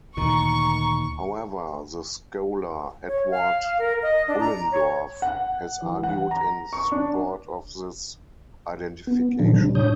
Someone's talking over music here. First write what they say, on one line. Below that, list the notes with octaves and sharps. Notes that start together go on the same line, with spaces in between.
However, the scholar Edward Ullendorff has argued in support of this identification.
D2 A#2 D#3 A#5 C#6
C#5
F5
A#4
D#5
D4
A#5
C#5
F#5
E3
F#5
A#5
C#6
D4
B3
A#2 D3 D#3 F3 F#3 D4
C3 G3
A2 D4 C#5 D#6 G6